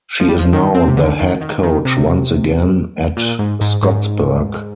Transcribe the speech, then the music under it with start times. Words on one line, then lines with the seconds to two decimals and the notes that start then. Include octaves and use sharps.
She is now the head coach once again at Scottsburg.
0.20 F3
0.29 G3
0.39 F3
0.53 D#3
0.75 C4
0.88 C3
0.97 D3
1.19 D#3
1.41 D#3
1.63 D#3
1.85 C3
3.17 A#2
3.39 G#2
3.61 G#2
3.83 G#2